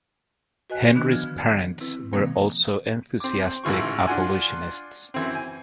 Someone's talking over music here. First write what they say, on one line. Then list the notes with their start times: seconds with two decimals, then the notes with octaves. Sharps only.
Henry's parents were also enthusiastic abolitionists.
0.70 F#4 B4 D#5 G#5 F#6
0.95 D3 D#3 B3 D4 B4 F#6
1.11 D3 F3 F6
1.80 C4 E4 B4
2.13 B2 D#3 F3 G3 A#3 C4
3.20 C4 D6
3.64 A1 G#2 E3 F4 C#6
4.07 D4 F4 F#5 G#5
5.14 F#2 E3 C4
5.35 G#5